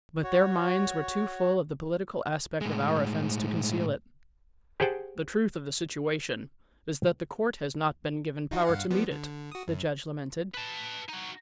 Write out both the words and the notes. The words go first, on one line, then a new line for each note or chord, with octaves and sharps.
But their minds were too full of the political aspect of our offense to conceal it. "The truth of the situation is that the court has not been given power to meet it," the judge lamented.
F#4 C#5
A2 G#3
G4 G#4 C5 F#5 G5 A5
D#4 F4 F#4
G2 F5 F#5
F3 G3 B3
D3
F#4 D#6
F#2
B4 A5
D#4 F#4